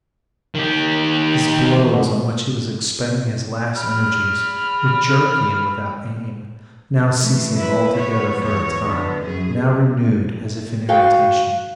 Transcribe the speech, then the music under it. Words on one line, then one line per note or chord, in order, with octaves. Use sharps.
His blows, on which he was expending his last energies, were jerky and without aim; now ceasing altogether for a time, now renewed as if in irritation.
D#3 G4
B2
B5 F6
E3 A3
E4 B4
B3 C#5
E2 C#5
D3 B3
F#2 G#4
F#4 F5 G5